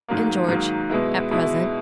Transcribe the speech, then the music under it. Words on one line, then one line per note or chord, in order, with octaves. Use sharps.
"And George,--at present."
G#2 D#3 F#3 A#3
G#2 D#3 F#3 A#3
B2 G#3 B3 E4
B2 G#3 B3 E4